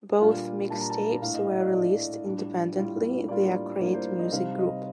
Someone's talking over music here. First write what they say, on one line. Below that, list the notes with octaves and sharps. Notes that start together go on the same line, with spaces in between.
Both mixtapes were released independently via Create Music Group.
A#2 G3 D4 F4
A#2 G3 D4 F4 A5
A#5
A5
A2 A3 D4 F5
D#5
D#5
D5
A2 A3 D4 D5
A2 G3 D4 F4
A2 G3 D4 F4
A2 G3 A#3 D4 F4 D5
A2 G3 A#3 D4 F4 D5
C5
D#5
C3 G3 C4 D#4 F5
D#5